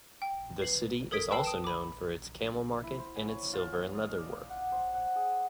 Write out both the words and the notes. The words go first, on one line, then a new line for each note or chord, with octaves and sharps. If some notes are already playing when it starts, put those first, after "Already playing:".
The city is also known for its camel market and its silver and leatherwork.
G5
B4 C7 F#7
A4 A#4 D#6 G#6 B6 D7
B4 G5 A5 E6 C7 F#7
D#6 D7 E7
B5 D6
E4
C5
G#5
C#5
F4
F4
D#5
D5
F#5
C5
F#5
G#4